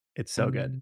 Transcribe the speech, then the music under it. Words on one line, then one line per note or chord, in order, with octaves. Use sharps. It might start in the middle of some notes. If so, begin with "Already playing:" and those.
It's so good.
C3